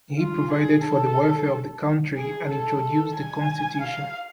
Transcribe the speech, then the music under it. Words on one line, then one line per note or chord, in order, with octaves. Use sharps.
He provided for the welfare of the country and introduced the constitution.
F4
G#4
A4
G#4
A4
A4
G#5
F5